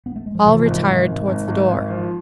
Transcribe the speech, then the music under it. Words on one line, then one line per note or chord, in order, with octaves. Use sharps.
All retired towards the door.
B3
A3
G#3
F3
C3 E3 F3
G#1
G#1
G#1
G#1
G#1
G#1
F3